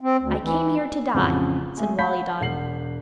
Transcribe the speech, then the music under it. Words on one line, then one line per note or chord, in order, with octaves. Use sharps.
'I came here to die,' said Wali Dad.
C4
D2
E3
A1 F2 C#3
G#3 A3 G#4
F5 F#5 A5 B5 G6 B6
E1 F#5 C7 F#7